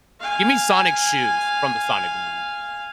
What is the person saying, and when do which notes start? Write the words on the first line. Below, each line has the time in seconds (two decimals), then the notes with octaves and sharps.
Give me Sonic shoes from the Sonic movies.
0.20 F5 G#5